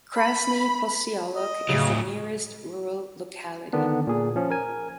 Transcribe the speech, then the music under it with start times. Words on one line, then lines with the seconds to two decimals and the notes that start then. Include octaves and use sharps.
Krasny Posyolok is the nearest rural locality.
0.17 B5
1.35 D#5
1.69 A2 C#3 F#3
3.73 D3 D#3 B3 D4
4.07 A#2 G#4
4.36 F3 C#4
4.50 A#4 G#5